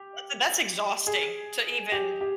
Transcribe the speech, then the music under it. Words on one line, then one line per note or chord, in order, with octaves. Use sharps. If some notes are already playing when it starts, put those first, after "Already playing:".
That's e that's exhausting to even
Already playing: G4
G#4
G4
G4